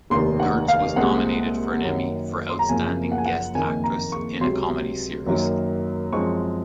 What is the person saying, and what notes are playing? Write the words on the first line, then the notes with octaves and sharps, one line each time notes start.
Gertz was nominated for an Emmy for Outstanding Guest Actress in a Comedy Series.
F1 D#2 D#3 C6
F#5
F5
C2 A#2 G#3 C4 F#5
F#2 D#3 A#3
C6
A#5
F#1 F#2 C#3 F3 A#3 G#5
F#5
G#5
F#5
F#1 F2 D#3 A#3 G#5
A#5
C#6
C#2 C3 F#3 C6
F#2 D#3 F#3 A#3
F#2 F3 G#3 C4 C#6